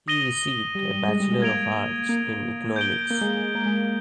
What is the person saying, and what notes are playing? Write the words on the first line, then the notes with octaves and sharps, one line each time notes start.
He received a Bachelor of Arts in Economics.
D#6 A#6 D#7 G7
G3
G#3
G3
G#3
A#3 G#6 D7 F7
A#3
G6 D7 G7
A#3
G#3
G#3
A#3
G#3